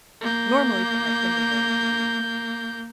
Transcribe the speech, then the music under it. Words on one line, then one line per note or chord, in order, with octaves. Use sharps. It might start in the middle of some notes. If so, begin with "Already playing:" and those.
normally put my Kindle there and read
A#3 G6